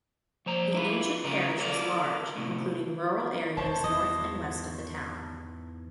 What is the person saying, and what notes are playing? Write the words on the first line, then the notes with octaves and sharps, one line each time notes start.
The ancient parish was large, including rural areas north and west of the town.
F3 C5 A#5
D4 E4 F4 B4
C#3 A#4 B4
A4 A#4 D5 E5 F5
A2 C3
E1 C5 C#5 A5
E2 G#2 E3 D#5